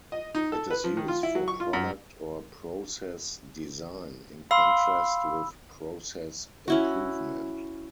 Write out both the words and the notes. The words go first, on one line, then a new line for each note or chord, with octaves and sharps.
It is used for product or process "design" in contrast with process "improvement".
D#5
D#4
A4
B4
F3
D#3
F4
E4
F#3
C#6
F4
F#2
F5 B5 C6 E6
C#4 E4 F#4